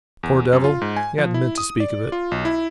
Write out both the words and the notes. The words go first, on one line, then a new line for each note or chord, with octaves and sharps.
Poor devil--he hadn't meant to speak of it.
E2
F#2
F4
G#2
G#5
F3
E4
D#6
D5
F4
B1
E4